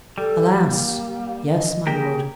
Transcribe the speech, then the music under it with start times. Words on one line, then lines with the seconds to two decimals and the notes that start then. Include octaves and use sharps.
"Alas! yes, my lord."
0.18 G3 A4
0.59 A#3
1.51 D#5
1.87 A#3 G4 G#4 A#4